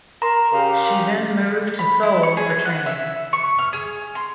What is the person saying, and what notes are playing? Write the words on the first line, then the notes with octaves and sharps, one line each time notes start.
She then moved to Seoul for training.
A#4 A#5 C6
C#3 G4 F5
B5
E4
C#6
G#4
G#5
F#5
E5
C#6
F6
G#4
C6